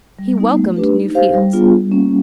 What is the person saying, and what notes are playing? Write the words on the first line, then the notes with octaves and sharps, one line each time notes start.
He welcomed new fields.
G3
B3 D#4
A3
D4 G4 B4
D#4
G4 C5 F5
G3
B3 D4 F4 G#4
G3
A#3 C#4